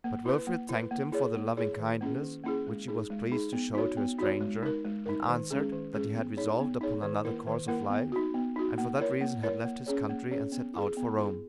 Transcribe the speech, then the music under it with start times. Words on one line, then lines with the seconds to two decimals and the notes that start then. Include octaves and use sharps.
But Wilfrid thanked him for the loving-kindness which he was pleased to show to a stranger, and answered, that he had resolved upon another course of life, and for that reason had left his country and set out for Rome.
0.04 A#3
0.26 E4 B4
0.47 A#3
0.69 E4 B4
0.91 A#3
1.12 E4 G#4 C#5
1.35 A#3
1.57 E4 G#4 C#5
1.79 D#3
2.01 A#3 C#4 E4 G#4
2.23 D#3
2.44 A#3 C#4 E4 G#4
2.66 G#3
2.88 D#4 G#4
3.10 G#3
3.32 D#4 G#4
3.53 B3
3.75 D#4 F#4 C#5
3.97 B3
4.19 D#4 F#4 C#5
4.41 G#3
4.63 D#4 A#4
4.85 G#3
5.06 D#4 A#4
5.28 D#3
5.51 G#3 C#4 G#4
5.72 D#3
5.94 G#3 C#4 G#4
6.15 B3
6.37 D#4 G#4 C#5
6.59 B3
6.81 D#4 G#4 C#5
7.03 D#3
7.25 A#3 E4 A#4
7.47 D#3
7.68 A#3 E4 A#4
7.90 B3
8.12 D#4 F#4
8.34 B3
8.56 D#4 F#4
8.78 A#3
9.00 E4 A#4 C#5
9.21 A#3
9.43 E4 A#4 C#5
9.65 A#3
9.86 C#4 G#4 C#5
10.09 A#3
10.31 C#4 G#4 C#5
10.52 B3
10.74 E4 G#4
10.97 B3
11.18 E4 G#4